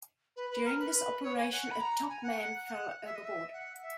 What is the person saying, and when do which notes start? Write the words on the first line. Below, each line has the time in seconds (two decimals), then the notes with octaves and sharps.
During this operation, a topman fell overboard.
0.36 B4
0.50 B4
0.65 A#4
0.79 B4
0.94 B4
1.23 C#5
1.37 G#5
1.52 F#5
1.62 F#5
1.71 B5
1.80 A#5
2.09 G#5
2.23 F#5
2.67 F#5
3.05 E5
3.15 D#5
3.25 E5
3.53 F#5
3.82 E5